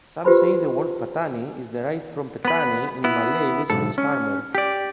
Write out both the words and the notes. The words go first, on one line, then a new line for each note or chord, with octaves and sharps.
Some say the word Pattani is derived from "Petani" in Malay which means "farmer".
F4 G4 B4 C5 B5 C6
B3 B4
B3 E4
B1 G#2 A4
C#4
G4 D5